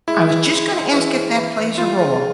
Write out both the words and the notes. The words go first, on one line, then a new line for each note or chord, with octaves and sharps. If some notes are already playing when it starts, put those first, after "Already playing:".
I was just gonna ask if that plays a role.
G#3 E4
E3
G#3
G#3
E3
C#4
E3
E3
E3 F4
C#3